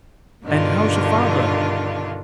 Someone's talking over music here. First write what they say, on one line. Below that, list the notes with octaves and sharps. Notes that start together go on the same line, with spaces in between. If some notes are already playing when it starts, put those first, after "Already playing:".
"And how's your father?"
G2 B2 D3 D#3 D4 F4